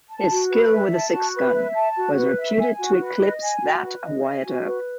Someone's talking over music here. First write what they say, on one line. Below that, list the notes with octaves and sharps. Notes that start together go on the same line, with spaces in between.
His skill with a sixgun was reputed to eclipse that of Wyatt Earp.
A5
F#4
B4
E5
A5
F#4
B4
E5
A5
F#4
B4
E5
G#5
F#4
B4
D#5
G#5
F#4
B4
D#5
G#5
F#4
B4